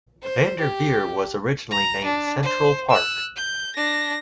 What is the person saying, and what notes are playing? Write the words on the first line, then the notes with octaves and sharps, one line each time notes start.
Vander Veer was originally named Central Park.
C5
G4
A#5
D4
C5
E6 F#6
G6
D4 A#6